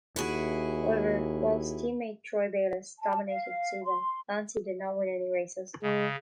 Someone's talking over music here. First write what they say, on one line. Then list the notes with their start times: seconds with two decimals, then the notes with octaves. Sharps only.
However, whilst team-mate Troy Bayliss dominated the season, Lanzi did not win any races.
0.16 D#2 E4 F#4 G#4
2.99 A5
3.28 F5
3.84 C6
5.82 C#3 G#3